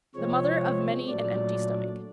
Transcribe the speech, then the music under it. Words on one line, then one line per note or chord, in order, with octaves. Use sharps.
The mother of many an empty stomach.
C3 F3 G#3 C4 C#5
A#2 F#3 A3 D4 D5